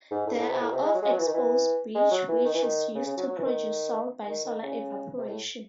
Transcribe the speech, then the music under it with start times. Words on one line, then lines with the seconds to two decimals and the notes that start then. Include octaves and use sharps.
There are of exposed beach which is used to produce salt by solar evaporation.
0.11 G#2
0.27 A2
0.34 G#2
0.39 A2
0.50 C3
0.61 A2
0.72 C3
0.83 G#3
0.94 F#3
1.02 G#3
1.10 F#3
1.19 E3
1.26 D#3
1.34 E3
1.94 G#3
2.11 F#3
2.28 E3
2.44 D#3
2.54 E3
2.62 D#3
2.95 C#3
3.06 C#3
3.17 F#3
3.29 F#3
3.38 E3
3.44 D#3
4.28 D#3
4.45 D#3
4.63 C#3
5.17 C3
5.28 A2